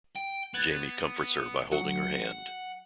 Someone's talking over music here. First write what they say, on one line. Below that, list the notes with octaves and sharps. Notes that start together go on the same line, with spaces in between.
Jamie comforts her by holding her hand.
G5
B3 F#6 G#6 A6
F#3 F#5